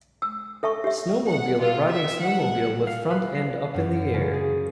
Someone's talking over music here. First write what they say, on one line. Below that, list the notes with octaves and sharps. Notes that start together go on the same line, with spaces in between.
Snowmobiler riding snowmobile with front end up in the air.
E6
A4 E5 A5 C#6
G4 E5
F#5
F4
E5
F#5
F5
B4
C7
F#2
C#3
G#4